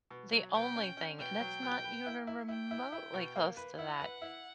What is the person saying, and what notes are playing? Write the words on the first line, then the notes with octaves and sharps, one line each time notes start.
The only thing and, it's not even remotely close to that,
B2
F#3
B2 G5
C#4
C#4
B2 G5
F#3
B2
B4
E4
E4
E4 G5
E4
E4
B2
A#3
B4
E4 F#5
B4
E4